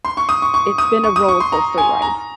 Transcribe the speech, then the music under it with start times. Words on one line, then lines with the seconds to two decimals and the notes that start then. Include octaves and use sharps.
it's been a roller coaster ride.
0.05 C6
0.17 C#6
0.29 D#6
0.42 C#6
0.54 C#6
0.78 D#6
1.04 C#6
1.16 D#6
1.28 C#6
1.40 C6
1.52 A#5
1.78 G#5
2.02 A#5